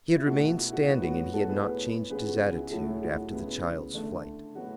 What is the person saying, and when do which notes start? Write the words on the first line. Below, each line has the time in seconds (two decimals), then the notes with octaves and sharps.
He had remained standing and had not changed his attitude after the child's flight.
0.16 E4
0.26 B2 A3 F#4
0.57 E4
0.73 F#4
0.88 A2 F#3 B3 F#4
1.03 F#4
1.34 F#4 A4
1.49 A2 F#3 B3 G#4 B4
2.10 C#3 G#3 B3 G#4 B4
2.26 F#4
2.56 E4 G#4
2.71 A2 F#3 A3 F#4 A4
2.86 E4 G#4
3.02 F#4
3.17 F#4
3.33 C#3 G#3 B3 E4
3.94 D3 A3
4.55 A2 F#3 B3 F#4